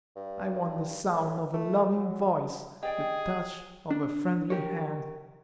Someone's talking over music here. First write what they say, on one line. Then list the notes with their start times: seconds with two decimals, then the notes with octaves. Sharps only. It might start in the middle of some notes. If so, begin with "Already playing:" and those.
"I want the sound of a loving voice; the touch of a friendly hand."
0.16 G2
1.13 A2
1.54 A3
1.96 F#3
2.83 G4 G#4 D5 D#5 G5
3.91 D4
4.50 G4 A#4 C#5